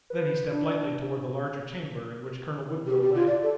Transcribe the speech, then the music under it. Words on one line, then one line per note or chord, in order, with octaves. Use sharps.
Then he stepped lightly toward the larger chamber in which Colonel Woodville lay.
B4
D4
G4
G4
F4
D5
A4